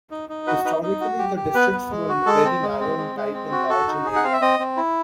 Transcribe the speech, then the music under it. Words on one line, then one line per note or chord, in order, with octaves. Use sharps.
Historically, the districts were very narrow in type and large in area.
D#4
D#4
F#4 B4
D#4 B4
D#4
F#4
G4
G4
B3 B4
B3
G#3
F#4
G#3 A4
C4
G#3
C4
G#3
G#3
C4
F#4
F#4 A4
D#4
G#4
F#5
C4 F5
E5
C4 D#5
C4
E4